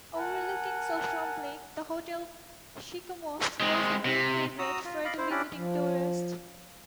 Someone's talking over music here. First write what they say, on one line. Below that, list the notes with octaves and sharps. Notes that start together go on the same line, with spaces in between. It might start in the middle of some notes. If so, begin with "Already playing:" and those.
Overlooking Shuswap Lake, the Hotel Sicamous was a great favourite with the visiting tourist.
A#4 F#5 G#5 A5
G#3 C4
C3
F#4 A#5 D#6 E6
F4
D5 D#5 F5 B5
E4 C5
C#4 D4 E4 G4 D5
F3